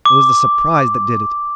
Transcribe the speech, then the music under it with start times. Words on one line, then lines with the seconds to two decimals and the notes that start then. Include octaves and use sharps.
It was the surprise that did it.
0.05 D6